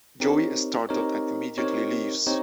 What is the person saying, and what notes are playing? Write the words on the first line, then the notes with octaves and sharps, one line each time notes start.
Joey is startled and immediately leaves.
C4 D#4 G4 A#4 C#5
C4 D#4 G4 A#4 C#5
C4 D#4 G4 A#4 C#5
C4 D#4 G4 C#5